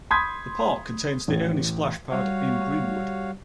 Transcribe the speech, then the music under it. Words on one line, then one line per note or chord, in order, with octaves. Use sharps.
The park contains the only splash pad in Greenwood.
B5 C6 D#6 G6 G#6 B6
A1
G3 F#4 C#5 F5